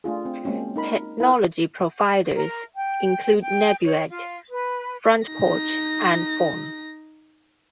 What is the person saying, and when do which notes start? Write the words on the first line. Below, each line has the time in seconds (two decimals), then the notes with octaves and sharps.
Technology providers include NebuAd, Front Porch, and Phorm.
0.04 A3 D4 F4 G#4
0.25 C4
0.44 G#3 A#3 C4 C#4 F#4
0.76 D#4 A#4 B5
1.20 B3 E4 A#4 B4 F5
2.34 A#4
2.75 G5
3.41 G5
3.84 C#5
4.10 F4
4.50 B4
5.28 D#4 A#6